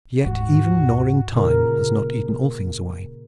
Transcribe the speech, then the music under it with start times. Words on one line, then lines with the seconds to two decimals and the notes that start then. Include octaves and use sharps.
And yet even gnawing Time has not eaten all things away.
0.23 D2 G#2 F#4
1.33 A#2 C#3 A#4